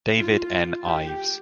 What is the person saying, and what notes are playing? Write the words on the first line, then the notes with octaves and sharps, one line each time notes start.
David N. Ives.
F4
G4